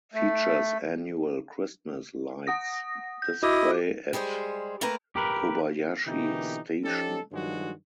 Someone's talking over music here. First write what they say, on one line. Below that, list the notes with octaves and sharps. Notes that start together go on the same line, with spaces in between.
Features annual Christmas Lights Display at Kobayashi Station.
A3
F#5 D#6 A#6
G6
E4 F#4 D#5 D6
G3 G#3 G#4 C5
A3 A#3 A#4 B4 G5 A#5
G4 A#4 B4
B2 D3 E3 A#3 D#4 G4
F3 C#4 D#4 G4 A4
G2 D#3 F3 F#3 G#3 F#4